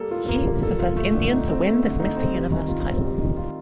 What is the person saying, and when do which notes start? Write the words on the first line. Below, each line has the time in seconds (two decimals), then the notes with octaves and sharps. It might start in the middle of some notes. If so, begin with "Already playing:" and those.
He is the first Indian to win this Mister Universe title.
Already playing: G3 A#3 A4
0.11 F4
0.28 A#3
0.45 G3
0.63 A4
0.79 F4
0.96 A3
1.14 D3
1.31 D#4
1.48 C4
1.66 A3
1.83 D3
2.00 D#4
2.17 C4
2.33 G3
2.51 D#3
2.68 F4
2.85 C4
3.03 G3
3.20 D#3
3.37 F4